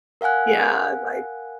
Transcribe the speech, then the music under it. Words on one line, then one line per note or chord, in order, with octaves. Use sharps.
yeah, like
A#4 F5 F#5 G#5 F#6